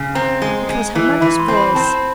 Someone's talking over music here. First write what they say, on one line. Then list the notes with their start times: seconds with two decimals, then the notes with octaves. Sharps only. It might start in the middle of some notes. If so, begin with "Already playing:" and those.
It was her mother's voice.
Already playing: C#3
0.15 C4 A#5
0.42 G#3
0.69 G#3
0.95 E3
1.21 E3 B5
1.39 C6
1.48 C4
1.57 B5
1.75 C4 A5